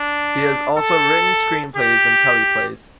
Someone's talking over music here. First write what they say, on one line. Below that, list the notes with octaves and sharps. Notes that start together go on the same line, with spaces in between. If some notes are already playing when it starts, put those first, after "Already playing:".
He has also written screenplays and teleplays.
Already playing: D4
A4
G4